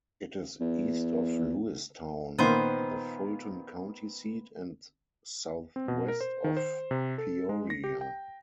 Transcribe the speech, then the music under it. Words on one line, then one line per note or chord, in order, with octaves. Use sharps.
It is east of Lewistown, the Fulton County seat, and southwest of Peoria.
E2
A#2 D#3 A#3 B3 C5
C4
B2
A#4
C5
D#3
C5
C3
A4
G#3
A#6
G4
G5